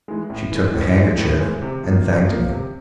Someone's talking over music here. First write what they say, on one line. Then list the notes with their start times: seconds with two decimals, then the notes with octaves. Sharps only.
She took the handkerchief and thanked me....
0.08 E3 G#3
0.30 A2
0.52 E3 G#3
0.74 A2
0.96 E3 G#3
1.18 A2
1.39 E3 G#3
1.62 C3
1.83 F3 A#3
2.05 C3
2.27 F3 A#3
2.49 C3